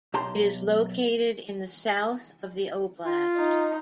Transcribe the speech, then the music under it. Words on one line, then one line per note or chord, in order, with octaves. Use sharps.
It is located in the south of the oblast.
B1 G4 A5 A#5 C6
F4
D#4